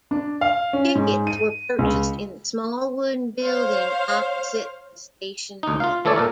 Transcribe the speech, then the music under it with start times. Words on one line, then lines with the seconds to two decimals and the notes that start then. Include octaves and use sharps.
Tickets were purchased in the small wooden building opposite the station building.
0.11 D4
0.41 F5
0.73 C#4
0.95 G#2
1.27 D#7
1.79 C#2
3.42 C5 C#5 F5
5.63 D2 D#4
5.80 F4 F5
6.05 E3 A3 A4 C#5 D5
6.16 A#2 A4 A#4